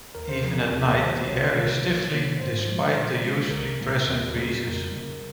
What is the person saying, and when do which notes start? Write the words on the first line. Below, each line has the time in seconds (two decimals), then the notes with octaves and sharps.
Even at night the air is stifling despite the usually present breezes.
0.15 D#2 A#4
0.29 C5
0.43 C#3 F3 A#4
0.57 G4
0.71 D#2 G#4
0.99 D#3 G3 C5
1.27 C2 C#5
1.55 C3 D#3 G3 A#3
1.82 C2
2.11 C3 D#3 A#3
2.39 G#2 C5
2.67 F3 G#3
2.95 A#2
3.23 G#3
3.51 C2 A#4
3.80 A#2 G3 A#3
4.07 D#2
4.35 C#3 G3 A#3
4.63 F2 A#4
4.91 C#3 G3